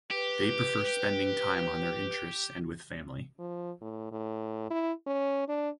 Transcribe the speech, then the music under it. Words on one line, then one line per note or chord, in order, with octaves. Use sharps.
They prefer spending time on their interests and with family.
G4 B4
F3
A2
A2
E4
C#4
D4